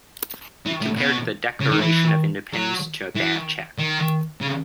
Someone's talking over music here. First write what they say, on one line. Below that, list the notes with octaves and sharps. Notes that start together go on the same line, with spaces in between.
He compared the Declaration of Independence to a bad check.
E3
A2
B2
C#3
D#3
E3
F#3
E3
D#3
C#3